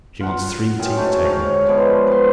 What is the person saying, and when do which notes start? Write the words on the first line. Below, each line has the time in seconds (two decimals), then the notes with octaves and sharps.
She wants three teeth taken out.
0.20 F4 F#5
0.79 F#2 G#4 G5
0.97 G#2 A3
1.24 G#2 C#5 F5
1.68 F3 G#3 B3 D5
2.07 B4 C6